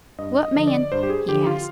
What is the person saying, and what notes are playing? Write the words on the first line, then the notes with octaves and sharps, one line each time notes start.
"What man?" he asked.
G2 D#5
D#5
D3 F3
D5
G2 C5
G4
G#4
D3 F3 G4
F4